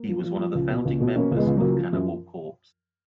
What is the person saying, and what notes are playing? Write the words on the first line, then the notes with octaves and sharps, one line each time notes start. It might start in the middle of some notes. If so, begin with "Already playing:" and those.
He was one of the founding members of Cannibal Corpse.
Already playing: A#3
F3
F3
F3
C#2
B2
C#2
B2
B2 A#3 C#4
C#2
G#3 B3
C#2
C#2 F#3 A#3
F3
F#2